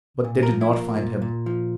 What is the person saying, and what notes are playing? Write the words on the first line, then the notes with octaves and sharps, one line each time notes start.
But they did not find him.
A#2
A#4
F3
E4
A#3
A#2
A#2
F3